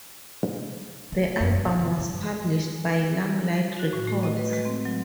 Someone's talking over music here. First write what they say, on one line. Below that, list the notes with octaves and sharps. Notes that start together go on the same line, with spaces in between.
The album was published by Limelight Records.
C3 A3
E1 F#2
B2 D#4
D3
G2
F#4
A2
A3
D#5
B4
G#3
C4
F#3